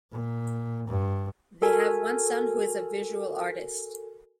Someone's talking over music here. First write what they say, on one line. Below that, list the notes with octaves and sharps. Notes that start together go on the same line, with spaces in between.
They have one son who is a visual artist.
A#2
G2
F#4 A4 A#4 G#5